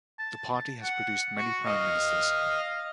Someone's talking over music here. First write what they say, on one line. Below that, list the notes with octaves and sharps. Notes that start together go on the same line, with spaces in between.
The party has produced many Prime Ministers.
A5
F#5
F#4
D#5 F5